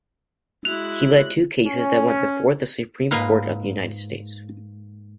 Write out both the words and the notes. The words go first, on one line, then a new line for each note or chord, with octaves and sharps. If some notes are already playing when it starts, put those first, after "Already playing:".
He led two cases that went before the Supreme Court of the United States.
G#3 E4 F#4 F#6 F7
C#4
G#2 A#3 F4 A#4 B4